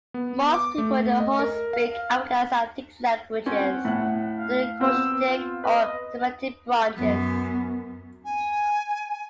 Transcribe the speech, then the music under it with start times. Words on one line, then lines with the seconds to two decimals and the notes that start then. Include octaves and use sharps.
Most people in the Horn speak Afroasiatic languages of the Cushitic or Semitic branches.
0.14 B3
0.54 D6
0.78 A3
1.20 D#5
1.39 A#4
1.73 F5
3.46 C4 C#4 C#5 F#5
3.85 A2 F#6
4.39 F5
4.80 B3 C4 B4 E6
5.25 F4
5.64 B4 D#5
6.96 F#2 B3
8.25 G#5